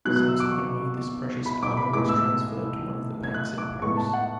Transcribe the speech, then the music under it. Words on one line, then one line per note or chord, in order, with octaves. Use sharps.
Subsequently, this precious cargo was transferred to one of the banks in Paris.
B2 F#3 B3 F#6
F#6
E6
D6
C#6
B5
D6
B5
A2 G#3 B3 D6
E6
G#6
F#6
D6
A2 G#3 B3 C#6
A5
F#5